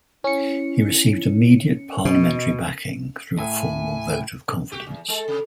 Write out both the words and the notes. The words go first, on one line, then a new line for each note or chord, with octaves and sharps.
He received immediate parliamentary backing through a formal vote of confidence.
C#4 E4 C#7
B2 D#5
A2 E5 G#5
F#4 G4
E2
G#3 A4
C3